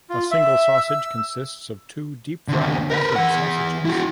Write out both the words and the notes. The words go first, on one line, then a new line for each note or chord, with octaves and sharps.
A single sausage consists of two deep fried battered sausages.
F4
E5
E6
D#2 D3
A#4 B4
E3 F#5
E4 F#4